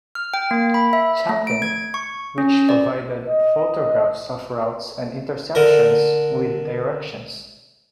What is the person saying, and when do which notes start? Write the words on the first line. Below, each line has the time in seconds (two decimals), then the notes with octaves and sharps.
Chapin, which provided photographs of routes and intersections with directions.
0.15 F6
0.34 G5
0.51 A#3
0.74 B5
0.93 E5
1.29 A3
1.47 D7
1.62 G#6
1.94 C#6
2.38 C#4
2.69 D5
3.27 D#5
5.55 D3 A#4